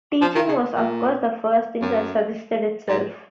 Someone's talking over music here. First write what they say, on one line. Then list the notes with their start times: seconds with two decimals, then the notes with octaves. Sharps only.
Teaching was, of course, the first thing that suggested itself.
0.21 F3
0.35 D#3
0.48 C#3
0.76 A#2
1.82 F#2
2.88 G#2